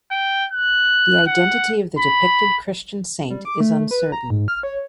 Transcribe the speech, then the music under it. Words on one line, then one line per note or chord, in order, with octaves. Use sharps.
The identity of the depicted Christian Saint is uncertain.
G5
F#6
F#5
B5
G3
D6
A3
B4
A#5
G#2
F6
C#5